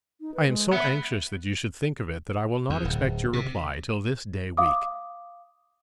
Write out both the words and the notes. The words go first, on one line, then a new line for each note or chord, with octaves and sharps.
I am so anxious that you should think of it that I will not expect your reply till this day week.
D#4
B4
G#3
B3 E5
E2
D1
C3
F5 D6 D#6